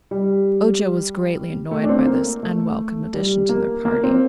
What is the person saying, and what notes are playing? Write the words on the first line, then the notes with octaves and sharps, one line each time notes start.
Ojo was greatly annoyed by this unwelcome addition to their party.
G3
A3
D4
C4
A#3
A3
G3
A#3
A#3
C4